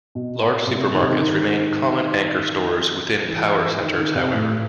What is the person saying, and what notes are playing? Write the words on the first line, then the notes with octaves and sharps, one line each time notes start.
Large supermarkets remain common anchor stores within power centers however.
B2
C3
D#3
C3
D#3
D#3
E3
D#3
D#3
C3
A2